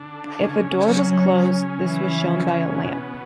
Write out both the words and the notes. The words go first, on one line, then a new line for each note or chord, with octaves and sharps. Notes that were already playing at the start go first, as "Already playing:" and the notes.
If a door was closed, this was shown by a lamp.
Already playing: D3 D4
C#3 C#4
F#3
E3
B2 B3